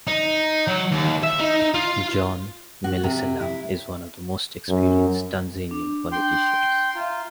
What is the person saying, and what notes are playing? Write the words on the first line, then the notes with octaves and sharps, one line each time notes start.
John Malecela is one of the most experienced Tanzanian politicians.
D#4
F#3
D#2
E5
D#4
F4
F#4
C3
E4
F#2
D4
G5 C6
F4 E5 F5 A#5